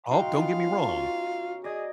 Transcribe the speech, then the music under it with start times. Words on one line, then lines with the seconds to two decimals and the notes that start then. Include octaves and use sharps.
Oh, don't get me wrong,
0.11 D#4 F#4 C5 F5 G5 C6
0.35 C#3 B3 F4
0.84 G4 A#4 C#5
1.64 G#4 D5 D#5 G#6 A#6